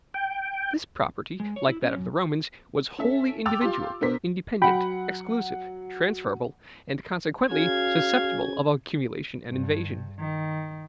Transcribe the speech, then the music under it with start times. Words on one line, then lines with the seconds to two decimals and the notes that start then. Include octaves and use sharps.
This property, like that of the Romans, was wholly individual, independent, exclusive, transferable, and consequently susceptible of accumulation and invasion.
0.14 G5
1.40 G#3
1.56 C#5
1.68 E4
1.82 C#4
1.96 F#2
2.98 C#4 A4 E5
3.46 G5 D6 E6 A6 F7
3.61 F4 G4 C6
4.01 B2 B3 D4 A#4 C5 B6
4.62 F#3 F#5 G5 B5
7.51 C#4 F#4 G#4 F5 G#6
9.48 G2
10.18 D#3